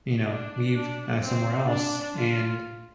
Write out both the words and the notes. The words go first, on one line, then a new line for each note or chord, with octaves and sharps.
you know, leave, uh, somewhere else, and
D4
D4
C4
D4
F4